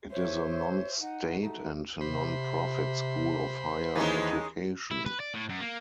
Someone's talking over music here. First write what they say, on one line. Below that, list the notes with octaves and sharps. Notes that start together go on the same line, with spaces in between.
It is a non-state and non-profit school of higher education.
C5 C#5 E5
D#4 F#5
A3 D#4 F#4
C3 C5 B5
D#2 E3 G#3 C#4 D#4
E4
B4
D5
A2
F#2
A#3